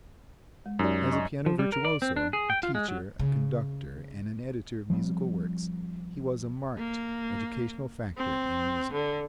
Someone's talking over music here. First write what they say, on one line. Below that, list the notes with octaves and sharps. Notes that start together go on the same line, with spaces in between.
As a piano virtuoso, a teacher, a conductor and an editor of musical works, he was a marked educational factor in music.
G#3
F#2 D#4 G4 D5
D#5 C#6
F3
G3
A#4
D5
C4
D4
G#4
G5
F4
G#3
F#3
C#3
F3 G3 C4
A#3
C4
D3